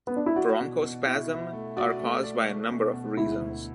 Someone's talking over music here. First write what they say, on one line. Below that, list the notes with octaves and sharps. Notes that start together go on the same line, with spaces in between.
Bronchospasm are caused by a number of reasons.
B3
D4
E4
F#4 D5
B2
B2
E4
E4
A3
F#4 D5
A3
D5
A3
B2
B2
D2 E4
D2